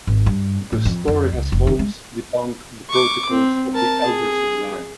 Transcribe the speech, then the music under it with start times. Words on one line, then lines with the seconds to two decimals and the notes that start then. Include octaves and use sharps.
The story has Holmes debunk "The Protocols of the Elders of Zion".
0.07 G#1
0.26 G2
0.72 A1
0.85 F2
1.08 F2
1.32 C#2
1.52 F1
1.67 D#3
1.79 G#3
2.90 C#6 D6
3.30 C4
3.73 A#4 A5
4.05 G#4